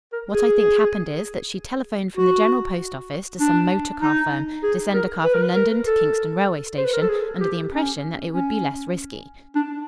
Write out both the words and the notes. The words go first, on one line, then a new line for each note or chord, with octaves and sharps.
What I think happened is, that she telephoned from the General Post Office to some motor-car firm to send a car from London to Kingston railway station, under the impression that it would be less risky.
A#4
G#4
F#4
D4
D#4
G#4
A#4
B4
A#4
B4
A#4
A4
C5
B4
A#4
A4
G#4
G4
C#4
C#4
D4